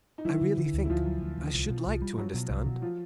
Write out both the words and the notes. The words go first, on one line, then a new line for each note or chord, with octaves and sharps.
"I really think I should like to understand."
D#4
E3 F#3 E4
D3
D3
D2
E4
D2 F3 F4
F#3
D2
D2
C2
B2
C2
G3
F#3 G3 F#4
B2
C2
B2
F3 F4